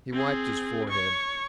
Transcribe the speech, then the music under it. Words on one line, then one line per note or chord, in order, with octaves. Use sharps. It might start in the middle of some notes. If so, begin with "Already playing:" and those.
He wiped his forehead.
C4 G#4
C#5 C#6